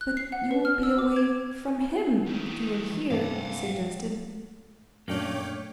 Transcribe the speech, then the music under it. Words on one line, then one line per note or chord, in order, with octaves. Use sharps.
"But you will be away--from him--if you are here," he suggested.
F#6
C7
F#5
B4
F6
E6
D6
G#6
E3 D#4
G2 C3 F5 F#5
F#2 A#2 A3 A#3 D4 C#5 G5 D6